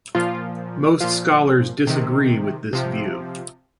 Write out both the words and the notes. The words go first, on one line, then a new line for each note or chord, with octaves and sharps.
Most scholars disagree with this view.
A#2 F3 F4
A#2 F3 F4
C3 D#3
C3 F3